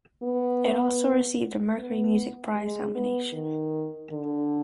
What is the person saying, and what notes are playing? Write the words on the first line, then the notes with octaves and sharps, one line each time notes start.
It also received a Mercury Music Prize nomination.
B3
B3
G#3
B3
D#3
D3